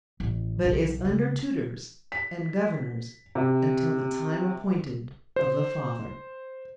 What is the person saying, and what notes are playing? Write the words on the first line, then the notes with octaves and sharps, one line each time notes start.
But is under tutors and governors until the time appointed of the father.
A1
B1
C#3
B6
C3
C5